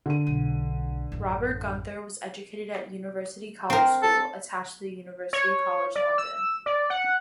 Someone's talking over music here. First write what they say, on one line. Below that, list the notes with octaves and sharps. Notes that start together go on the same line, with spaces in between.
Robert Gunther was educated at University College School, attached to University College London.
D3 D#7
B1
A1 F#2
C4 A#4
A4
C#5
D5
E6
D5
F#5